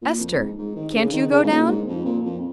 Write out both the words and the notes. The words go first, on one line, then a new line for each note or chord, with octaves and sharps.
Ester, can't you go down?
A#2
F2
G#2
G#2
D#3
C#3
D#3
C#3
G#2
A#2
G#2
F2
A#2
F2